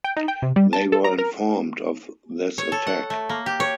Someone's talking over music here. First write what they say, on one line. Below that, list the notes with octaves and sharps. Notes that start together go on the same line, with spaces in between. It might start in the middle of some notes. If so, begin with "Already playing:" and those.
They were informed of this attack.
G5
D#4
G5
C3
G3
A5
A4
A#5
A#4
C#5
A4
F#5
A3
A#3
G4
C#5